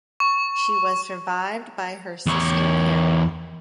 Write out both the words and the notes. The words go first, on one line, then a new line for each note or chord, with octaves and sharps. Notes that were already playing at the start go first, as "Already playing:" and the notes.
She was survived by her sister Carol.
C#6
E2 C#5